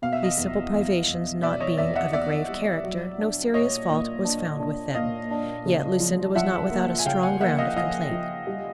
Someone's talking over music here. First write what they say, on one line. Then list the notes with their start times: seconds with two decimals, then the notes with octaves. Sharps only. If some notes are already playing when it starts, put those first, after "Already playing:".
These simple privations not being of a grave character, no serious fault was found with them; yet Lucinda was not without a strong ground of complaint.
0.02 B2 F5
0.13 E5
0.23 D#5 F5
0.37 E2
0.73 E2
1.08 E2
1.43 B2 D5 E5
1.60 C#5 D#5
1.78 E2 D5 E5
1.95 E5 F#5
2.13 E2 D5 E5
2.48 G3
2.84 F#3
3.19 D4
3.53 A#2 C#5 D#5
3.89 A#2
4.24 D4
4.59 D4
4.94 A#2 D#5 F5
5.31 D4
5.66 C#3
6.00 F3
6.35 F3 E5 F#5
6.71 A#3
6.99 G#5
7.06 C#3 F5 G5
7.23 F#5 G#5
7.41 A#3 E5 F#5
7.59 D#5 F5
7.76 F3 D#5 F5
8.11 F3
8.47 G3